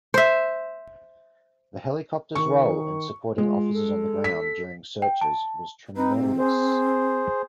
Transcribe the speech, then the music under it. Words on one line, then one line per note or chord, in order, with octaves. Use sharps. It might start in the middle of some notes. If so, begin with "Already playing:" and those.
The helicopter's role in supporting officers on the ground during searches was tremendous.
C5 E5
D#3 C#6
G#3 F4
A4
B6
G5
A5
C4 D#4 B4
G#2 C3
G#4 C5